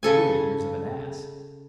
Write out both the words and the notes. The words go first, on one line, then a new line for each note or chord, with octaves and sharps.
They were the ears of an ass!
C#3 A4 G#5